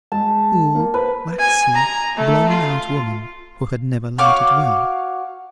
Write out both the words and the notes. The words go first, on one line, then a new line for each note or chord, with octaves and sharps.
A cool, waxy, blown-out woman, who had never lighted well.
G#3 A5
A#3
B4 C5
G#5
A#5
A3
F4
F#4 C#5 F5 D6